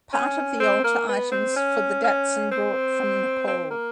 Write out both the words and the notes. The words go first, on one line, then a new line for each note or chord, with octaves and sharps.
Part of the altar items for the datsan brought from Nepal.
C#4
C4
A#3
B3
C4
C#4
C#4
C4
C4
A#3